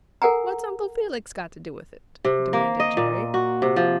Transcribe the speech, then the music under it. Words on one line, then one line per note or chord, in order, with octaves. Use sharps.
"What's Uncle Felix got to do with it?" demanded Jerry.
A4 A#4 F#5 G#5 A#5
C3
A#3
D#5
A#2
F#4
C3
F3